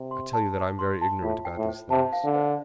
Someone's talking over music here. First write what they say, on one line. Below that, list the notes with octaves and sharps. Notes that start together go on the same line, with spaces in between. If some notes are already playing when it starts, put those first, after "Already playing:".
"I tell you that I am very ignorant about these things."
Already playing: C3
C6
A5
C5
C6
A5
A2 F4
G5
A2
C5
C3 A5
F5
D3
C5